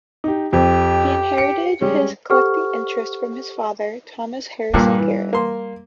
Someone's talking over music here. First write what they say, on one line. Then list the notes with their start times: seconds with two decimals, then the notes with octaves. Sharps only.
He inherited his collecting interest from his father, Thomas Harrison Garrett.
0.24 D#4 G4
0.53 F2 C4 G4
1.37 C#7 D7
1.81 G3 G#3 C#4
2.30 G4 A4 C5 F#5 C#6 F6
4.74 G2 A#2 G3 A#3
4.98 E3
5.33 A#3 C6